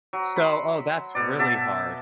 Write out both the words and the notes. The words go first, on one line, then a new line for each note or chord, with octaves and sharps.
So, oh, that's really hard.
F#3
B5 C6
B2 D5
B2 E5 A5 D6